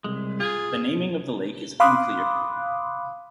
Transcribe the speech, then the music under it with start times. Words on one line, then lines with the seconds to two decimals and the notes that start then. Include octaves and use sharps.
The naming of the lake is unclear.
0.04 C2 G#2 G#3
0.40 F4 G#4
1.80 F5 B5 C6 D6 D#6 F#6